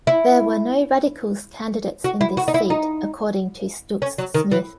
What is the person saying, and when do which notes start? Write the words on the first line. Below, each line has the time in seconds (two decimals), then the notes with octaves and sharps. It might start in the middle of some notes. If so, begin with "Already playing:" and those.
There were no Radicals candidates in this seat, according to Stooks Smith.
0.07 E4
2.04 F#4
2.21 E4
2.37 F#4
2.48 D#4
2.54 E4
2.70 D#4
4.02 C#4
4.18 F#3
4.34 D#3
4.51 E3